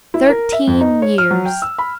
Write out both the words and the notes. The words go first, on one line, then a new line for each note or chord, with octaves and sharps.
Thirteen years.
E4
A#4
E5
F2
D#4
C#5
F6
F#3
G5
E6
B5